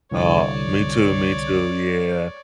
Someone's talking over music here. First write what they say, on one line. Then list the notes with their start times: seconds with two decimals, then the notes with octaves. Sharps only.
Uh, me too. Me too. Yeah.
0.12 C2 D3 C#5 D5